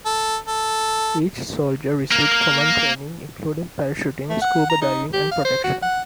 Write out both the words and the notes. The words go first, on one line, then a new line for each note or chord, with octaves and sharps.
Each soldier received common training including parachuting, scuba diving and protection.
A4
A4
A#3 A#4
A3
F#5
A#5
D#4
G4
F5
C5
F#4
F#5